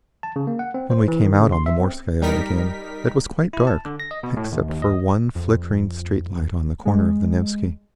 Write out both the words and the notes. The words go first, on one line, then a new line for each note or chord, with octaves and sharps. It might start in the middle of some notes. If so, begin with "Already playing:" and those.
When we came out on the Morskaya again it was quite dark, except for one flickering street-light on the corner of the Nevsky.
A5
C#3
A#3
F#5
C4
C5
E3
D#3
C#3
C6
E5
C4
G3 D#4 A#4 B6
E4
A5
D3
A#6
D#5
B2
A2
D#2
D#2
D#5
F2
G#3